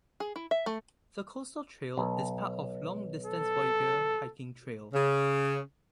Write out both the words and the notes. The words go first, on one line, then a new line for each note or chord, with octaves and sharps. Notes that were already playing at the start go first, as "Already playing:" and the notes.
The Coastal Trail is part of the long-distance Voyageur Hiking Trail.
G#4
E4
E5
A3
B1
A4
C#3